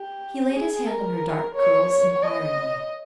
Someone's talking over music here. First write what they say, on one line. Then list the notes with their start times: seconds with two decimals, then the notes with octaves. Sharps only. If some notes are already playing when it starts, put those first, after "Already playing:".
He laid his hand on her dark curls inquiringly.
Already playing: G4
0.54 G#4
0.87 A#4
1.55 C#5
1.89 C#5
2.23 D#5